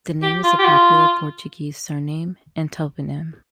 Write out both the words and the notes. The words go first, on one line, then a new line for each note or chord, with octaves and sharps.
The name is a popular Portuguese surname and toponym.
G4
F4
G4
F4